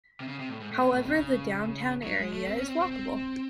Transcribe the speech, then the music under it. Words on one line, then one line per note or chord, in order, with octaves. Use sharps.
However the downtown area is walkable.
C3
C#3
C3
A2
G#2
A2
C3
A2
C3
C#3
F#3
G#3
A3
C4
C#4
C4
C4
C4